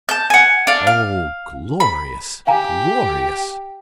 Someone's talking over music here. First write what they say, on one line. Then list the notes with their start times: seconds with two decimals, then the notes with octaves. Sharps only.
Oh, glorious! Glorious!
0.09 A5 G6
0.30 F#5 G#5
0.67 D4 F5
0.87 F5
1.80 B5
2.47 G4 F5 G#5 A#5